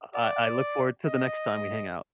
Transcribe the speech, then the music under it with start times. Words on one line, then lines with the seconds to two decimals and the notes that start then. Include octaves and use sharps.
I I look forward to the next time we hang out.
0.15 D5
1.06 D#5